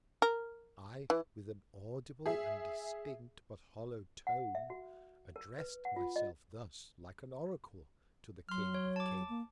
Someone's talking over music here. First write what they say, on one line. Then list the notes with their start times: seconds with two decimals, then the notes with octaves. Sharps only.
I, with an audible and distinct, but hollow Tone, address'd my self thus, like an Oracle, to the King of Kings.
0.22 A#4
1.10 E3
2.26 G#4 E5
4.27 F#5
4.55 E5
4.70 F#4
5.36 A#4
5.59 B4
5.85 F#5
5.96 F4
6.16 D#5
8.49 F#3 C6 F6
8.74 C#5
8.96 A5 D6
9.29 A#3